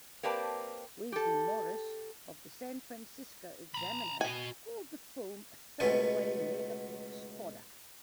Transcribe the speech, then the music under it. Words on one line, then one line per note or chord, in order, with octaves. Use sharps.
Wesley Morris of "The San Francisco Examiner" called the film "throwaway megaplex fodder".
A#3 C4 G4 B4 D5 A5
G4 A4
A#5 B5
F#4 D#5 G#5
C#2 B2 A3 B3